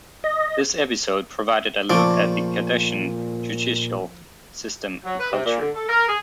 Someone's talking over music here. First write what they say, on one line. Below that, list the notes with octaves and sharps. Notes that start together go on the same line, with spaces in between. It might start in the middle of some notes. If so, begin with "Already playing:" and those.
This episode provided a look at the Cardassian judicial system and culture.
D#5
A#2 C#3 F3 A3 D5
F#3
B4
C3
A#2
D3
A4
A#4
G#4